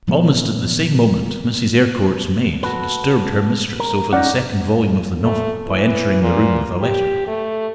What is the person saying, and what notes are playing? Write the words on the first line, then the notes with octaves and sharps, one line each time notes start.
Almost at the same moment Mrs. Eyrecourt's maid disturbed her mistress over the second volume of the novel by entering the room with a letter.
A#2 F3 G#3 B3
F#4 A4 B4
A#4
C#4 D#4 D5 F#5
A3
E3
A#2
G4
A3